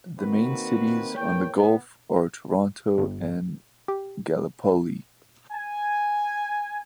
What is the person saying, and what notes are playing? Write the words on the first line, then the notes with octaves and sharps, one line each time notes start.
The main cities on the gulf are Taranto and Gallipoli.
D#3 A#3 C4 F#4 B4
E2 A#3 C#5 G5
B3
G1
G4
G#5